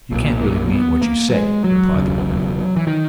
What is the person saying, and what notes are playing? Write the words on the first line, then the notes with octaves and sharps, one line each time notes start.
'You can't really mean what you say?' replied the woman.
B1 A#2
A#3
A#3
B3
A#3
F#3
G#3
F#3
E1 E2 C#3
E3
D#3